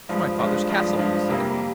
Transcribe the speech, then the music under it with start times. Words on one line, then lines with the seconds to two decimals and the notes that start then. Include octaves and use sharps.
'To my father's castle,' he said.
0.09 G2 F3 G#3 D4
0.39 G2 F3 G#3 D4
0.69 G2 F3 G#3 D4
0.99 G2 F3 G#3 D4
1.29 F2 C3 G3 A#3